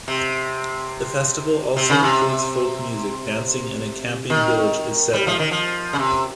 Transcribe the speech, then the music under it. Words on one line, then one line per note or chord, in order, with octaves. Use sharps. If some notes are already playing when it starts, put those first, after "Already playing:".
The festival also includes Folk music, dancing and a camping village is set up.
C3
C3
C#3
C3
D#3
G3
F3
D#3
F3
C#3
C3